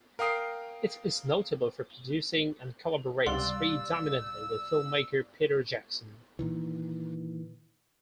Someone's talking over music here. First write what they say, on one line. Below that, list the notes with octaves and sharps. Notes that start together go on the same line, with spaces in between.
It is notable for producing and collaborates predominantly with filmmaker Peter Jackson.
A#4 F5 G5 D#6 C7
C#2 C3 G3 D5 F5 C6 E6 F#6
A#2 D#3 E3